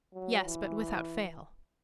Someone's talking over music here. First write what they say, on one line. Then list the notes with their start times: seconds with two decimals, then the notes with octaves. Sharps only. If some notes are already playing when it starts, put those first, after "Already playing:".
"Yes; but without fail."
0.13 F#3
0.45 E3